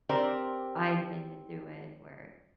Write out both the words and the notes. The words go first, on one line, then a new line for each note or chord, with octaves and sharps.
I've been through it where
C4 G4 A#4 C5 D5